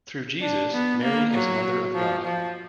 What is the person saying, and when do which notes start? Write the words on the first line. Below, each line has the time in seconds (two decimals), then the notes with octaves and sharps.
Through Jesus, Mary is Mother of God.
0.41 D4
0.73 B3
1.02 A#3
1.33 F#3
1.95 F3
2.25 F3